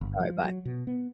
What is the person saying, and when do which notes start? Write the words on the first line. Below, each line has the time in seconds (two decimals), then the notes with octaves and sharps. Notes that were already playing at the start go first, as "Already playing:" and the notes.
Alright, bye.
0.01 G1
0.20 F3
0.44 F#3
0.65 B2
0.87 B3